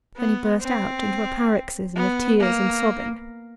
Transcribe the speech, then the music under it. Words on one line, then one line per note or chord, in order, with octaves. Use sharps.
Then he burst out into a paroxysm of tears and sobbing.
B3
C4
B3
A#3